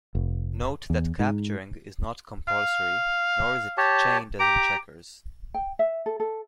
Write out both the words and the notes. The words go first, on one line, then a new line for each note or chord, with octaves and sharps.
Note that capturing is not compulsory, nor is it "chained" as in checkers.
F1
E2
G#2
F5
G4 C#5 A5
G4 A#5 D6
G5
E5
A4
A4